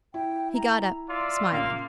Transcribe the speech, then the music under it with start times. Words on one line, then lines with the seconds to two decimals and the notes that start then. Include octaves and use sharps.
He got up, smiling.
0.14 E4 G5
0.55 A#5
1.09 F4 D5 E5 C6
1.52 A#2 C#3 A#3 F5